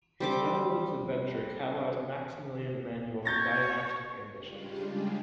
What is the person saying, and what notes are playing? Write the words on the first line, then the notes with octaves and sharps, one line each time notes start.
His Netherlands adventure catalyzed Maximilian Emanuel's dynastic ambitions.
G3 C4 D6
C#5 G6 A6 A#6
C#3 G3 G#3 D4 F4 G4